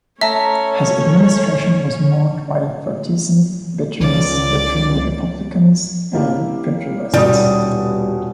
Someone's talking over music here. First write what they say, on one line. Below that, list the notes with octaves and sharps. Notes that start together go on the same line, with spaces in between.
His administration was marked by partisan bitterness between the Republicans and Federalists.
A3 C#4 C#5 E5 A5 A#5 E6
C#2 C#3 C#4 D5
A#3 E4 G4
D#1 B2 G3 D#6